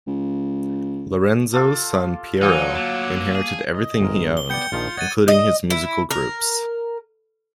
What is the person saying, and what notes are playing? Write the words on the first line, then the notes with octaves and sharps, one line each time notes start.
Lorenzo's son Piero inherited everything he owned, including his musical groups.
C#2
F4 G4 A4
E3 F#3 D#4 F5
D3 A3 A#3
G#4
D#5
G1 G#3 A#4
G7
B3 D5 G5 G6 C#7
A#1 D#3 F3 F4
C#5 D#5 F#5 G#6 A6 D#7
D#5
E4
A#4